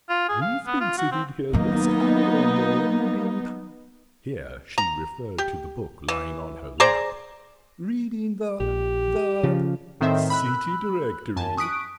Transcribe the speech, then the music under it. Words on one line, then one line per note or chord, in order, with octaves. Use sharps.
"We've been sitting here this hour or more, reading--," here she referred to the book lying on her lap, "--reading the--the City-Directory."
F4
G#4
F5
B3
F4
F#4
C4
D#3 F#3 A#3 B3 D#4
A#5
G4
E3
G#4 C5 D5 A#5
A#1 G4
C#3 F3
A2 D#3 C4 C5 E5
B5 E6 F#6
F#2 G#5 A5
C#6 D#6 F#6 B6 D7